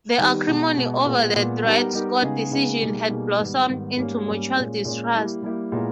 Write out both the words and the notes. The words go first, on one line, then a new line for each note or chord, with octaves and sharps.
The acrimony over the Dred Scott decision had blossomed into mutual distrust.
D#3 G3 B3 D#4 G4
B2 G#3 B3
B2 G#3 B3
A#2 G#3 B3
A#2 G#3 B3
G3 B3 D#4 G4 A#4
G3 B3 D#4 G4 A#4
C#3 G#3 B3 D#4 G#4
C#3 G#3 B3 D#4 G#4
B2 G3 A#3 D#4 G#4
B2 G3 A#3 D#4 G#4
G#2 D#3 G3 B3
G#2 D#3 G3 B3
G#2 G3 A#3 C#4
G#2 G3 A#3 C#4
A#2 G#3 C#4
A#2 G#3 C#4
G3 A#3 E4 G4
G3 A#3 E4 G4
A#2 G#3 B3 E4 A#4